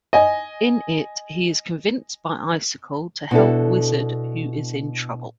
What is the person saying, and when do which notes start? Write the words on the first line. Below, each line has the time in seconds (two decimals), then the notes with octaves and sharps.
In it, he is convinced by Icicle to help Wizard, who is in trouble.
0.13 D#5 G#5
3.31 B2 D4 E4 A4